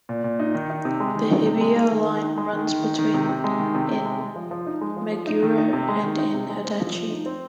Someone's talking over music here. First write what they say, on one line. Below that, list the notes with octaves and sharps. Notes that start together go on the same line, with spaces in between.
The Hibiya Line runs between in Meguro and in Adachi.
A#2
A#2
D#4
D#3
D#4
C3
G#3
D#3
D#4
C3
G#3
G#3
D#3
D#3
D#4
G#3
D#3
D#3
D#4
D#3
C3
C3
G#3
D#3
C3
C3
G#3
G#3
F3
F3
D#4
G#3
F3
F3
D#4
D#3
D#4
C3
G#3
D#3
D#4
C3
G#3
C4
F3
F3
D#4
C4